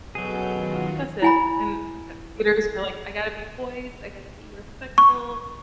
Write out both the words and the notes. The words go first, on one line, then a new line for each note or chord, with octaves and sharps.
That's it. And at theaters, we're like, "I gotta be poised. I gotta be respectful"
B2 F#3 C#4 G#4 A4 G6
D#3 F4 F#4
E4 G#5 B5
C#6